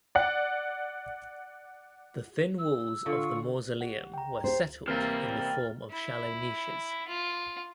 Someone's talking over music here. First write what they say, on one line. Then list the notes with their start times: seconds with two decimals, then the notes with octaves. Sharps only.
The thin walls of the mausoleum were settled in the form of shallow niches.
0.15 D5 F#5
2.58 E6
3.06 D3 F4 C#6
3.81 G4 F#5
4.14 G5 A#5
4.44 G4 C5
4.88 C3 E3 G3 A#3 F6 A6
5.91 E4
7.08 F4